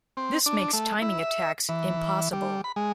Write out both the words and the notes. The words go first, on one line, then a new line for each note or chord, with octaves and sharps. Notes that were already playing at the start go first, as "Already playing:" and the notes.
This makes timing attacks impossible.
C4
D4
A3
E4
E5
E3
G3
B5
G#3